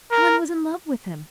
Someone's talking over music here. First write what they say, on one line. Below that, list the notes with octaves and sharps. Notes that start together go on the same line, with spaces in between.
Helen was in love with him.
A#4